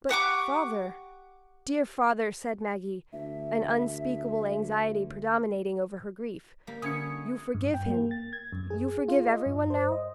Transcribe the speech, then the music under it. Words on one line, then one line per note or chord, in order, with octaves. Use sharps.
"But, father, dear father," said Maggie, an unspeakable anxiety predominating over her grief, "you forgive him--you forgive every one now?"
G4 F#5 C#6 D6
D2 E5
G3 A#3
D3 C#4 E4 D#6 G#6 C#7
G2
G5
A#3
A6
G#6
F#2
G#4
F4
D#5
G2
C5
D#5